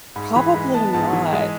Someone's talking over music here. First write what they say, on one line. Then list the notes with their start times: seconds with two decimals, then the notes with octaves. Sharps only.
Probably not.
0.16 G#2 B5
0.35 E3 B5
0.54 G#3 B5
0.74 B3 A5
0.93 G#2 A5
1.13 E3
1.33 G#3